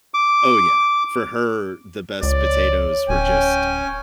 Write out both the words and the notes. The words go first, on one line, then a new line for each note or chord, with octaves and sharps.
Oh, yeah. For her, the best potatoes were just
D6
C#2 C#5 D5
D1 C#4 G5 G#5